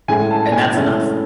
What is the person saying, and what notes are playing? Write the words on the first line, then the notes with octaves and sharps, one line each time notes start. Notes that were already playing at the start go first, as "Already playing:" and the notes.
And that's enough.
A2 G#3 C#4 E4 G#5
A5
G#5
A2 G#3 C#4 E4